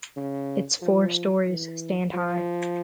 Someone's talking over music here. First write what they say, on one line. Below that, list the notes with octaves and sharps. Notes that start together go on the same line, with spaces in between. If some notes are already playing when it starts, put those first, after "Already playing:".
Its four storeys stand high.
C#3
F3
E3
F3